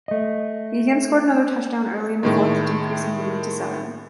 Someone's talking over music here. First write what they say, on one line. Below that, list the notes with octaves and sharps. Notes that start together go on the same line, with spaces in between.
He again scored another touchdown early in the fourth decreasing the lead to seven.
A3 D#5
A2 D#3 G#3